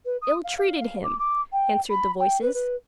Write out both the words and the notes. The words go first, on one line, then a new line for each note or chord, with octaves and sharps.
'Ill-treated him!' answered the voices.
B4
D#6
F5
F5
F5
D6
D6
G5
B5
G5
B4
B4